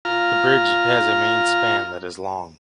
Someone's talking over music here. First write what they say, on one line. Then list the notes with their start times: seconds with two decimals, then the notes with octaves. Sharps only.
The bridge has a main span that is long.
0.05 F4 A#5 F6